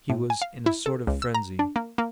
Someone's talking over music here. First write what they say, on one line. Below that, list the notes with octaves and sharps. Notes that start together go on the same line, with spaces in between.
He was in a sort of frenzy.
A2
G#5
F5
E4
A4
C#2
E6
A#5
D4
A#3
A#3